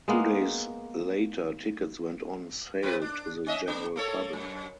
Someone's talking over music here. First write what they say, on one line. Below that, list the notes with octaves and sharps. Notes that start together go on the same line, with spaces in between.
Two days later tickets went on sale to the general public.
G#3 A#3 B3
A#2 C4 B4
D4
C#4 D#5 E5
A#3 D4
A#3 A4 C#5
F#2